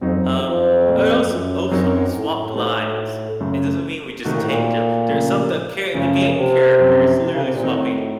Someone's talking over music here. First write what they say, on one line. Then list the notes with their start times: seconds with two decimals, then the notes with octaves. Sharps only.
Um, I als also swap lives. It doesn't mean we just take the there's some the char the game character is literally swapping
0.01 F2 F#3 C4 D#4
0.12 F#2
0.23 F#2
0.34 F2
0.44 F2
0.86 A#2 A3 C4
1.23 F2
1.28 F#2
1.71 F#2 F#3 C4 D#4 A#4 C#5
2.14 A2
2.56 A3 D#4 F#4 C5
3.40 F#2 C#3 A3
4.25 C3 D#3 A3 D#4 F#4
4.32 A#2
4.39 A2
4.46 A#2
5.09 C#3 F3 A3
5.94 F#2 C#3 F3 A3 C#4
6.36 C3
6.79 F#2 F3 C4
7.21 C3
7.32 C#3
7.42 C3
7.52 A#2
7.63 A2 D#3 A3 C4 D#4 F#4